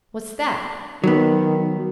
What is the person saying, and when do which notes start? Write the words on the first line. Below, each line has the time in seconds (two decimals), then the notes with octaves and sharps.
"What's that?"
1.04 D#3 F#3 B3